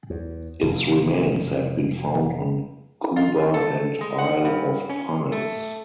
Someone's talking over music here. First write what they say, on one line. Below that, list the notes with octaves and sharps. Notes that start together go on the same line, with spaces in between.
Its remains have been found on Cuba and Isle of Pines.
E2
F1
F4
A4
G#3
F#5
G2
C#4
A3